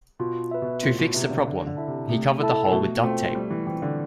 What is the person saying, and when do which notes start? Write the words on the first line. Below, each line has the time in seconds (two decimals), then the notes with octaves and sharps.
To fix the problem, he covered the hole with duct tape.
0.19 B2 F4
0.51 B4 E5
0.62 B2
0.83 A2 F4
0.98 B2
1.14 C3 B4 E5
1.30 D3
1.46 D3 A3
1.67 D3
1.77 E4 A4 E5 A5
1.88 C3
2.09 C3 A3
2.40 E4 A4 E5 A5
2.72 B2 A3
3.03 A3 C4 F4 C5 G5
3.35 G3 A3
3.50 E3
3.67 E3 C4 F4 C5 G5
3.82 D3